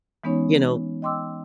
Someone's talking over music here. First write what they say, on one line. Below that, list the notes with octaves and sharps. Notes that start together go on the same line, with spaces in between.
you know,
E3 G#3 B3 C#4 D#4 C#5
D#5 G5 C6 D6 E6